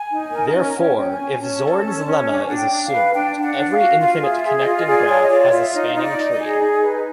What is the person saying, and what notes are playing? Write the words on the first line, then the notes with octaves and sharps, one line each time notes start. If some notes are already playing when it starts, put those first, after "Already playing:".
Therefore, if Zorn's lemma is assumed, every infinite connected graph has a spanning tree.
Already playing: G#5
D#4
A#4
C#4 G#5
C#4 F#5
G5
C#4
G#5
C#4
C#4 A5
A4
C#4
C#4
D4 G#5
D4 F#5
G5
D4
F5
B4
D4 G5
D4
F#5
D4
F5
F#4
F4 F5
G#4
E5
G#4
D#5
F4
D#5
G#4 D5
C#5 D5
D#5
F4 D5
F4 E5
D#4 D#5
D#4 D#5
D5
D#4
D#5
G#4
D#4
B4